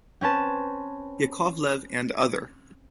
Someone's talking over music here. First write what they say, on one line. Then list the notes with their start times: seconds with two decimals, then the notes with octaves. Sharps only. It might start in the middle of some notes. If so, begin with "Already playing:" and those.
Yakovlev and other.
0.21 C4 C#4 B4 A5